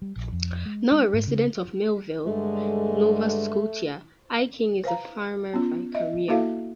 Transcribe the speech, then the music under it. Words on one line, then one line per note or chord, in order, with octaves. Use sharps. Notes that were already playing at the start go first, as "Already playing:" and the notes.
Now a resident of Millville, Nova Scotia, Eyking is a farmer by career.
G3
A#1
F2
G#3
G#3
G#2
C#3
G2 D3 G#3 A3
B4 C5 F5 A#5
B3 C#4 F4
D#5 E5
A#3 E4 F#4 A4 E5 F5